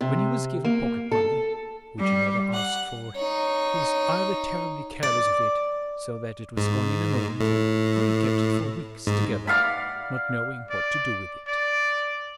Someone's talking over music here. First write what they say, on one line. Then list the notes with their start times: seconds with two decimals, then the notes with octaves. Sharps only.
When he was given pocket-money, which he never asked for, he was either terribly careless of it so that it was gone in a moment, or he kept it for weeks together, not knowing what to do with it.
0.01 C3
0.64 A#3
1.11 A4
1.98 G3
2.53 F#5
3.16 D#4 C#5
5.03 D5
6.57 G#2
7.40 A2
9.07 G#2
9.47 D5 F5 F#5 B5
10.70 D5
11.48 D5